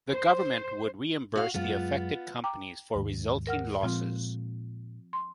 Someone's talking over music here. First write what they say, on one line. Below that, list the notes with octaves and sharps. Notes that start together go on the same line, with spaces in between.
The government would reimburse the affected companies for resulting losses.
C5
F#4 F5
F#2 F#3 G#3 B3 F4
G5 A#5 D6
D#2 G#2
A#4 F#5 F6
A#2 F3 G#3 C4 F4
C6